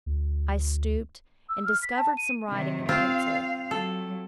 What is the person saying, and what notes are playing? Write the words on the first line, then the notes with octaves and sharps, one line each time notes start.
I stooped, and discovered some writing in pencil.
D2
E6
F6
B6
A5
D#7
C3 D#3
C4 F4 F5
F#3 A4